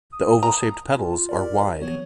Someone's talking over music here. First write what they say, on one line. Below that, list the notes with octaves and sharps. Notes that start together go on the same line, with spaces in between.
The oval-shaped petals are wide.
D#6
A#5
F4
G4 A#4 D5
E3 F3 B3 C#5